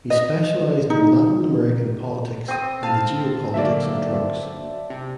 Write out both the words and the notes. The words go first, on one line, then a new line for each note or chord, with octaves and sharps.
He specialized in Latin American politics and the geopolitics of drugs.
D#5
D#4
C4 D#6
F5 A5
D3 F#3 A#3 D5 E5
C3